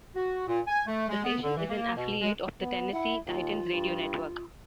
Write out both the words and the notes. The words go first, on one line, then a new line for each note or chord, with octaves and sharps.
The station is an affiliate of the Tennessee Titans radio network.
F#4
A#2
G#5
A3
G#3
B3
D3
E3
A#3
B2
G#3
B3
E4 F#5
D#2 F4
G2